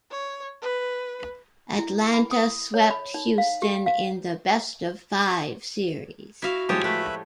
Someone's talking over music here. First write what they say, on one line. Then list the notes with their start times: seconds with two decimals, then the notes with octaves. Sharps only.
Atlanta swept Houston in the best-of-five series.
0.11 C#5
0.62 B4
1.79 E4
2.14 B5
2.31 D#6
2.74 C#5
2.91 B5
3.14 D#4
3.38 F5
3.62 G4
3.86 F5
6.42 E4 F#4 F5
6.69 A2 F3 G#3 G4 C#5 A5 D#6
6.84 A3 B4 E5 B5